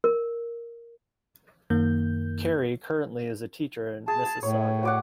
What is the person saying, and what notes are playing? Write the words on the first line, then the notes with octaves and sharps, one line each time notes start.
Carrie currently is a teacher in Mississauga.
A#4
F#2 D#3 A#3 G6
G#4 A5
G#4
A2 C#5
F#4 D5 F#5